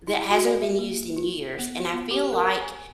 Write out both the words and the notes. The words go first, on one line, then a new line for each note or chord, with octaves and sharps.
that hasn't been used in years, and I feel like
E4
F#4
D5
E5
A#3
F4
B3
F4
B3
G4
A#4
G#5